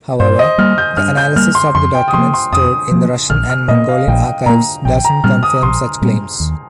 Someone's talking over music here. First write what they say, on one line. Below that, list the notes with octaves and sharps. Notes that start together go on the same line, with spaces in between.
However, the analysis of the documents stored in the Russian and Mongolian archives doesn’t confirm such claims.
G2 C5
D#5
G3 A#3 F6
G6
G2 F6
G6
G3 A#3 F6
C6
F2 C6
G5
D#6
F3 A#3 C6
C6
F2 D#6
F3 A#3
A#1 F6
F6
A#2 A#3 D#5
F5
A#1 G5
A#2 A#3 A#5
A#1 G5
A#5
A#2 G3 C4 F6
D#6
A#1 C6
A#2 G3 C4
D#2